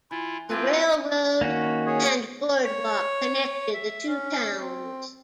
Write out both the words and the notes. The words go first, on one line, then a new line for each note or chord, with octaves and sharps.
A railroad and boardwalk connected the two towns.
E3 E4 F4
F3 C4 E4 F4 G4 B4
D#3 A#3 C#4 F#4
G#4 C#5
C#5
E5
C#4
C4